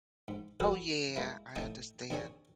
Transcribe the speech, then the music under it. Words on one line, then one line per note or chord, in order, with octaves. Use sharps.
Oh, yeah. I understand.
G#2
C4 F#4 G#4 A4 B4 C#5
G#3 A#3 E4
A2 D#4 G5 A5 D#6
D#2 C4 D4 G#4 C#5 G#5